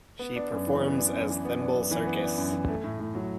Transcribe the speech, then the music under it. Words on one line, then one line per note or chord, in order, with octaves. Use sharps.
She performs as Thimble Circus.
B3
D4
F#2
E3
B3
D4
F#2
E3
B3
D4
F#2
E3
B3
D4
F#2
E3
A3
A2
A2
F#3